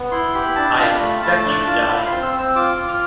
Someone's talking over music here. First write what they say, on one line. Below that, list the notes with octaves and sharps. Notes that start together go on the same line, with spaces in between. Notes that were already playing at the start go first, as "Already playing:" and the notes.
I expect you to die.
Already playing: B3
E4 C6
G4 B5
D4 A5
F4
B5
A3
A3 A5
D4
F4
F4 B5
C6
C4
E6
C4
E6
F4 D6
F4
F6